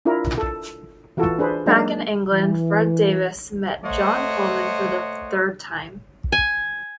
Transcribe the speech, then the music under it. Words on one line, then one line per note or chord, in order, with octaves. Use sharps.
Back in England, Fred Davis met John Pulman for the third time.
D4 E4 F4 A#4
A4
E3 F4 F#4 A4
D4 G#4 B4 C5
F#3 G#3 A#3 D4 D#4
E3
A3 C5 C#5 D#5 F#5
G#5